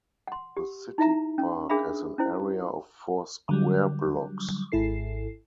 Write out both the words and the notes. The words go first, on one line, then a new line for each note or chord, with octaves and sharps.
The city park has an area of four square blocks.
F#5 C6
G4
D#4 E4 E5 A#5
C#4
D4 G#4 A#4 E5 F5 B5
C#4 E4 C5
D3 F#3 G3
G#1 G#2 E4 A4 C7